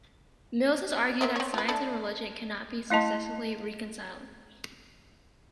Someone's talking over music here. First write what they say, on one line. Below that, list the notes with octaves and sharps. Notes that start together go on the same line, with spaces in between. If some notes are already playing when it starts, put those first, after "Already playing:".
Mills has argued that science and religion cannot be successfully reconciled.
A#3 C4 E5
C4 C#5
F4 B4
A3 D4 E4
A3 E4 D#5 A5 C6